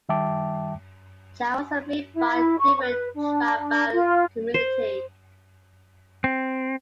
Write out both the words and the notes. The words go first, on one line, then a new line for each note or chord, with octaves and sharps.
Chariots are made by a different tribal community.
D#3 G3 E5 G5 A5 D6
E4
C#6
B4
D4
F4
C5
C4